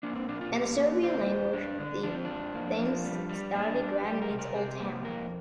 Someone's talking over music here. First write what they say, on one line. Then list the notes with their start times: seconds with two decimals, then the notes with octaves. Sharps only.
In the Serbian language, the name "Stari Grad" means "Old Town".
0.03 A#3 D4
0.16 C4
0.28 A#2 D4
0.41 F4
0.53 A#3 G4
0.78 A#3
1.03 D3 C5
1.28 G2
1.53 G2 D4
1.79 D3
2.03 F3 D4
2.14 C4
2.25 F2 D4
2.54 A#3
2.79 F3
3.05 G3
3.29 G3
3.54 A#2 D4
3.80 G3
4.05 G3 G4
4.22 A#4
4.30 C3
4.38 A#4
4.54 C3 G4
4.80 A#3
5.04 F2 A#4